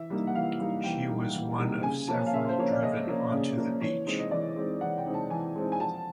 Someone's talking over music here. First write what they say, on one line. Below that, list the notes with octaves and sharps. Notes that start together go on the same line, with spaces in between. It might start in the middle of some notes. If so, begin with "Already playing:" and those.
She was one of several driven onto the beach.
Already playing: E3 E5
G3 A#3 D#4
F#5
E3 F5
G3 A#3 D#4
E3 G5
G3 A#3 D#4
E3
G3 A#3 D#4
C#3 G#5
F3 A#3 C#4 A5
F5
C#3 E5
C5
F3 A#3 C#4 C#5
D5
C#3 D#5
F3 A#3 C#4
C#3
F3 A#3 C#4
E3 C#5
G#3 C4 D#4
D#5
E3 D5
G#3 C4 D#4
E3 F#5
G5
G#3 C4 D#4
A5
E3 G#5
G#3 C4 D#4
G#5
F3 A5